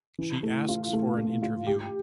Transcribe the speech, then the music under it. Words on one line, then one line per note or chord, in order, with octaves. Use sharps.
She asks for an interview.
E3
A3
F4
A3
A3
F4
G4